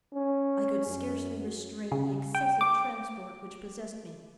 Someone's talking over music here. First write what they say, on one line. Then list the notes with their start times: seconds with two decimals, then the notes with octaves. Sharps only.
I could scarcely restrain the excessive transport which possessed me.
0.13 C#4
0.87 F#2
1.92 C#3
2.35 G5
2.61 D6